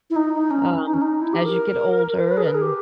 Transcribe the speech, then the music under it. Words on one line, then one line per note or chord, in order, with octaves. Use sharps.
Um, as you get older and
E4
D#4
D#4
C#4
D#4
C#4
D#4
E4
G4
A#4
B4
G#4
A#4
G#4
G4